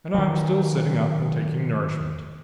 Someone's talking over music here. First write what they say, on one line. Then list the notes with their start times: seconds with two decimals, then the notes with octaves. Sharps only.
And I'm still sitting up and taking nourishment.
0.14 D#3 F#3